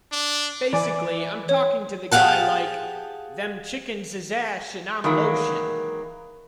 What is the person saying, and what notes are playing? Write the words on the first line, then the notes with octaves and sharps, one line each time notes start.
Basically I'm talking to the guy like, 'Them chickens is ash and I'm lotion.
D4
E3 D5 G#5
C#5
G4 G#4 F5 F#5 A5
D#3 E3 F#3 G#3 A#3